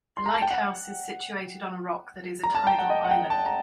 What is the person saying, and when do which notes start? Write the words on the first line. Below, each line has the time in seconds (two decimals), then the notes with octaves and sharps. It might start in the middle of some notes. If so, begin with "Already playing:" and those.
The lighthouse is situated on a rock that is a tidal island.
0.17 C6
0.26 A#5
0.34 A5
0.42 G5
0.51 F#5
2.43 A#5
2.55 A5
2.67 G5
2.79 F#5
2.90 D#5
3.05 F#5
3.11 G5
3.30 A5
3.46 A#5